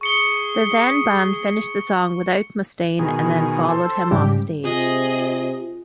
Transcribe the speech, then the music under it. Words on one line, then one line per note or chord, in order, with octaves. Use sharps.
The then band finished the song without Mustaine, and then followed him offstage.
G#4 C#6 C#7 G7
B2 D#3 G#4
A4 C5
G#2 C#3 G3 G4
C3 F4 G#4 D#5